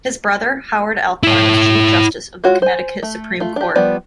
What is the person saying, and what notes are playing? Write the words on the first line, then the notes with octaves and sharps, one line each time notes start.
His brother Howard Alcorn was chief justice of the Connecticut Supreme Court.
E4 C#5
G#3 F4 F#4 C#5
C5 G#5
A3
A3 F4
D4 G4
F3 G3 B3 D5